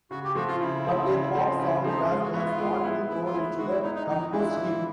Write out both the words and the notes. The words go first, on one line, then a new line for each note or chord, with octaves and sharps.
But their pop songcraft has not been thrown into the compost heap.
C#3 F#4
G4
F3 A3 C4 F#4
F4
C#3 E4
F3 A3 C4
C#3
F3 A3 C4
C#3 E4
F3 A3 C4 D#4
G#3 F4
F#4
B3 E4 F#4
F4
G#3
B3 E4
G#3 E4
F4
B3 E4
G#3 F#4
E4
B3 D#4 E4
D#4
E3 D#4
G#3 B3 D4 E4 F4
E3